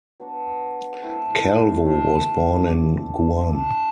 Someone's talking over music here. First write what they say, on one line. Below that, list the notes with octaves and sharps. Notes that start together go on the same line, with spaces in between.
Calvo was born in Guam.
F#3 B3 D4 F#4
A3 C4 E4
A3 C4 E4
D4 A4 D5
D4 A4 D5